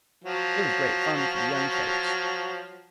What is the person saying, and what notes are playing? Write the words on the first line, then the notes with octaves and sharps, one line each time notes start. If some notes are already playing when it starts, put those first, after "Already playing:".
It was great fun for the young folks.
F3 F#3